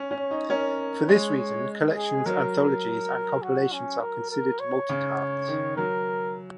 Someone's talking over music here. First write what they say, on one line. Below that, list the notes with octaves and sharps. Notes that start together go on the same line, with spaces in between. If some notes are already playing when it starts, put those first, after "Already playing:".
For this reason, collections, anthologies, and compilations are considered multicarts.
Already playing: C#4
C#4
C#5
D#4
C#4 A#4
G#3 C#5
C#5
G#4
F#3 A#4
F#4
C#4
A#4
A#4
C#5
C#3
D#3
F#3 A#4